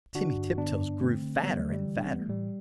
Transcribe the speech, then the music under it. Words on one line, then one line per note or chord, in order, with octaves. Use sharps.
Timmy Tiptoes grew fatter and fatter!
D3 D4 F#4
G2
D3 B3 D4
G2
D3 A3 C4
D3
D3 G3 B3
F#3 A3
D3
G3
E3
D4
E3 C4
B3
A3
A2 G3